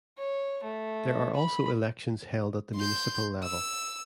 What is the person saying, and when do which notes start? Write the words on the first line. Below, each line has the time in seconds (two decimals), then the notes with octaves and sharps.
There are also elections held at the municipal level.
0.19 C#5
0.64 A3
1.36 B5
2.76 C6 G6
3.44 E6